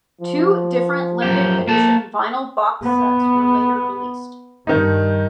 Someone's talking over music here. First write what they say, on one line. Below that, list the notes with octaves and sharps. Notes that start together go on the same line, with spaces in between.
Two different Limited Edition Vinyl Box sets were later released.
F3
F#2 G4
A#3 A5
B3
G2 D#3 D#4